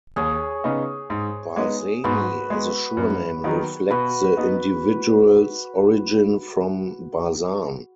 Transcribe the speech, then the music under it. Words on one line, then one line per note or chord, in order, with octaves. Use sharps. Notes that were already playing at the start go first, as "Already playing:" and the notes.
Barzani as a surname reflects the individual's origin from Barzan.
D#2 G#4 C#5
C#3 B3 D#4
G#2
G#3 B3 D#4
G#2 F#4 B4
G#3 B3
F#2
D#3 F#3 B3 D#4
B2 F#4 B4
B3 D#4